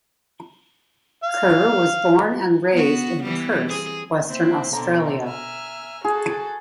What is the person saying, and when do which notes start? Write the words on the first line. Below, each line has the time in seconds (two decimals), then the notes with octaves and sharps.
Kerr was born and raised in Perth, Western Australia.
1.24 F5
2.73 B3 F#4
3.22 E3 G3 B3
3.67 C4 G#4
4.27 A#3 C4 E4
4.73 B2 D3 C4 A#5
5.24 E5 G#5 F6
6.05 F#4 G#4 A4